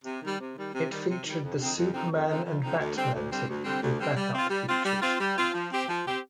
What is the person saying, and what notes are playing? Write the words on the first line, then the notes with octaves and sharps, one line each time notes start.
It featured the Superman and Batman team with back-up features.
C3
D#3 G3
C3
D#3 G3
C3
D#3 G3
C3
D#3 G3
F2
D3 F3 C4 D#4
F2
D3 F3 C4 D#4
F2
D3 F3 C4 D#4
F2
D3 F3 C4 D#4
D2
D3 G3 C4
D2
D3 G3 C4
D2
D3 G3 C4
D2
D3 G3 C4
G3
C4 F4
G3
C4 F4
G3
C4 F4
G3
C4 F4
F3
C4 G4
F3
C4 G4